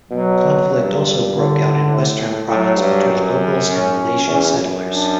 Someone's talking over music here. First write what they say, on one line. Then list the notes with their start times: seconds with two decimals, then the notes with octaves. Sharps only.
Conflict also broke out in Western Province between locals and Malaitan settlers.
0.11 B2 F#3
0.71 G2
1.30 D3
1.89 A2
2.48 A2 F#3
2.79 G2
3.08 F#2
3.68 C#4
4.27 E2
4.57 F#2
4.86 D4